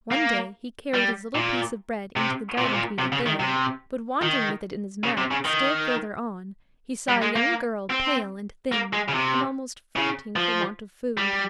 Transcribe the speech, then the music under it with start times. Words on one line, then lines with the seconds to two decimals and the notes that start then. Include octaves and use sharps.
One day he carried his little piece of bread into the garden to eat it there, but wandering with it in his mouth, still further on, he saw a young girl pale and thin, and almost fainting for want of food.
0.12 A#3
0.94 G3
1.35 A#2
2.17 C3
2.58 A#2
2.65 C3
2.73 A#2
2.99 C3
3.12 C#3
3.26 D#3
3.40 C3
4.22 D#3
5.04 C#3
5.17 C3
5.31 C#3
5.45 D#3
7.08 G3
7.22 G#3
7.36 A#3
7.90 C4
8.72 A#3
8.93 G#3
9.08 C#3
9.14 C3
9.96 C#3
10.36 F3
11.18 G3